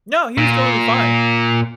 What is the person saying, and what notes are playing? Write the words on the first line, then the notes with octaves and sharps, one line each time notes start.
No, he was totally fine.
A#2